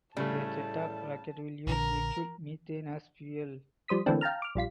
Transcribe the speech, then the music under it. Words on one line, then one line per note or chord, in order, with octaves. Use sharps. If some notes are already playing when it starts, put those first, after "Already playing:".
The Chetak rocket will use liquid methane as fuel.
A2 C#3 G3 A3 A5
A#1 D3 A#4
F3 G3 C5 D#6 B6
D3 E3 A3 A#3 C4 D4
F5 G5 A5 A#5 F6
D6 F6
A#1 G3 F4 B6